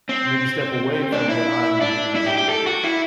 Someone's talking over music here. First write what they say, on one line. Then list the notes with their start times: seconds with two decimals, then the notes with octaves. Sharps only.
maybe step away from what I'm doing, or
0.09 C4
1.12 D4
1.29 E4
1.81 D4
2.15 E4
2.27 G4
2.38 G4
2.49 A4
2.67 F#4
2.84 E4